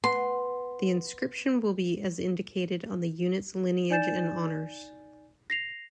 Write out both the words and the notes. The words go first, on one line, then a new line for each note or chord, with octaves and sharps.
The inscription will be as indicated on the unit's lineage and honors.
B3 C6
D#4 D5 G#5 G6 A6 E7
A#6 C7 F7